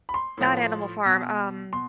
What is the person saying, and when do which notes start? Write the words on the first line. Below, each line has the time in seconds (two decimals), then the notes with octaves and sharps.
not Animal Farm, um
0.09 B5
0.14 C6
0.38 A2 F3
1.05 B2
1.73 B2 C6